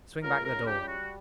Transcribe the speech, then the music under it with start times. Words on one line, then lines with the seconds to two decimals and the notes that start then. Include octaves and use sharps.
Swing back the door.
0.22 C#2 A#4
0.44 A#4
0.52 C#2
0.66 G4
0.81 G3
0.87 F#4